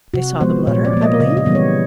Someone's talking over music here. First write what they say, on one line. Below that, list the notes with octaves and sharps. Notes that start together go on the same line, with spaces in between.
"They saw the letter, I believe?"
C3 F#4
F3 G#3 B3 C5
A#2 C#5
D5
F3 A#3
D#5
C#3 D#5
D#5
E3 G3 B3
C#5